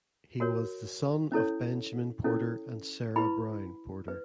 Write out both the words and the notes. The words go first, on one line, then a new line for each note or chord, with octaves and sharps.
He was the son of Benjamin Porter and Sarah Brown Porter.
F#4 A#4 C#5
C#4 E4 A4 C#5
C#4 E4 A4 C#5
E4 G4 B4 B5
B4